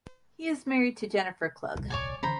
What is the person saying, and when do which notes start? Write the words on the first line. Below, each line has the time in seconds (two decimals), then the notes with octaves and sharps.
He is married to Jennifer Klug.
1.75 D#1 C2
1.90 C#5 D5 G#5
2.23 D3 E3 C#4 C5 A#5 B5